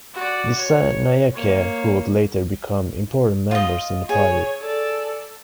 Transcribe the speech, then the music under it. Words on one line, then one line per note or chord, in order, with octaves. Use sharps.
Dissanayake who would later become important members in the party.
F#4 D5
C#5
A#3 C#5
F4 D#5
G#4 C#5
A4 D5